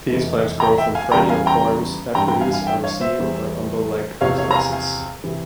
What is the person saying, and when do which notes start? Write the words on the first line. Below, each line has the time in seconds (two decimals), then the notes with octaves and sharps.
These plants grow from perennial corms that produce a raceme or umbel-like inflorescence.
0.09 F1 E2 E3
0.60 G5 A#5
0.78 E5 G5
0.95 F5 G#5
1.11 E2 C#3 E3 G3 G5 A#5
1.29 F5 G#5
1.46 G5 A#5
2.14 G#1 G2 E3 G3 G5 A#5
2.28 G5 A#5
2.41 F5 G#5
2.53 F5 G#5
2.66 E5 G5
2.84 C#5 F5
3.01 C5 E5
3.18 E2 E3 G3
4.21 E2 C3 F3 C#5 F5
4.38 C#5 F5
4.51 A#5
4.55 F5 G#5
4.72 F5 G#5
5.24 C3 E3